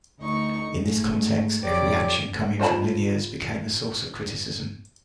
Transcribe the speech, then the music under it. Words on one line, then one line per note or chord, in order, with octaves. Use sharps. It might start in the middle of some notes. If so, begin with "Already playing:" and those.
In this context, every action coming from Liniers became a source of criticism.
D2 D#4 C#6
G#2 A3
F2 F#3 G4 C#5 D5 D6
F4 C5 G5 A5 B5